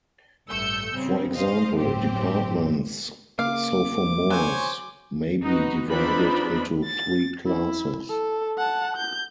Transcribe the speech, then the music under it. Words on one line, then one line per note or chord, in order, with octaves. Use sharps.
For example, a department's sophomores may be divided into three classes.
A1 G2 A3 E6 G6 C#7
C#3 G3 C4
C5 D#5 F5
G1 A2 F#3 C4 G4
C#3 A#3 F5 D6
F#3 C5 C#5 G#5
D#4 F#4 B4
F3 C4 D4 D#4 B4 B5
A6
E4
A4
F#5 A5
G6